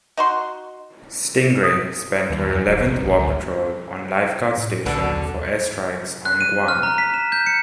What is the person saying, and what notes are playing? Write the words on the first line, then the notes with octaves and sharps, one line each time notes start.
"Stingray" spent her eleventh war patrol on lifeguard station for air strikes on Guam.
D#4 F#4 C6
D#6
D#2
F#2
D#1
A#1
A1
D2
A2
B1 B2 D3
D#2
F#6
D#7
F6
A#5
B6
E7
G6
C#7